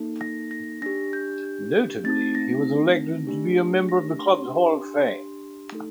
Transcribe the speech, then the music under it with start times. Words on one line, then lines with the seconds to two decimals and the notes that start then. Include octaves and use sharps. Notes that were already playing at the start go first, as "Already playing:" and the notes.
Notably, he was elected to be a member of the club's Hall of Fame.
Already playing: A#3 D#4 A4
0.21 A#6
0.51 A#6
0.82 D4 G4 A#6
1.13 G6
2.04 A3 C4 D#4 A6
2.35 A#6
3.27 A3 D4 G4
3.89 A#6
4.19 C6
4.50 D4 G4
5.72 A3 D#4 A4